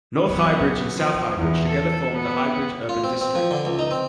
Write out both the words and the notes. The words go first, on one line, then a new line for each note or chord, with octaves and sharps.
North Highbridge and South Highbridge together formed the Highbrige Urban District.
F#3 B3
F3
E2
A4
B3
F4
C4
C4
F3
D3
C#2
D#4
C4